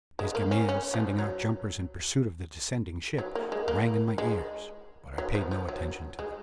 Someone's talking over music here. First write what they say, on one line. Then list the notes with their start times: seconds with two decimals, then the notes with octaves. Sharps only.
His commands, sending out jumpers in pursuit of the descending ship, rang in my ears, but I paid no attention to them.
0.19 G#3
0.35 A#3
0.51 C#4
0.69 C#4
0.94 F3
1.18 F#3
3.18 F#3
3.35 A#3
3.52 G#3
3.68 A#3
4.18 G#3
5.18 F#3
5.35 F3
5.51 F3
5.69 F#3
6.19 G#3